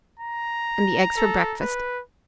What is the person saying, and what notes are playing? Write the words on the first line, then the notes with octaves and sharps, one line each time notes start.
"And the eggs for breakfast?"
A#5
A4
B4